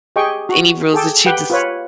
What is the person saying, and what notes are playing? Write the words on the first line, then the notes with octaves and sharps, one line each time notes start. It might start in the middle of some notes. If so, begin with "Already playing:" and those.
any rules that you just
G4 G#4 D#5 G5 C#6
F#4
G#4 A4 G5 D6
G4 B4 F#5 G5
F4 B4 C#5